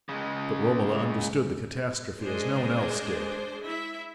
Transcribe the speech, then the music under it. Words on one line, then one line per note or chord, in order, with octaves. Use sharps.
But Romola understood the catastrophe as no one else did.
C#3 G#3
G#3 D4 G#4 C5
E4 E5